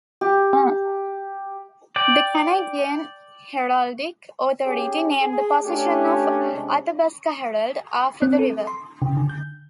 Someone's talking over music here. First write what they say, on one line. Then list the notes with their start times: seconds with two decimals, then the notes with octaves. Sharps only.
The Canadian Heraldic Authority named the position of Athabaska Herald after the river.
0.21 G4
1.96 D5 G5
4.65 C#4 G4 G#4
5.22 G#4
5.64 A3 C#4 D4 G4
6.51 C3 G#3 C#4 D4
8.22 C4
8.39 A4
8.67 C6
9.02 C#3
9.17 D3
9.29 G6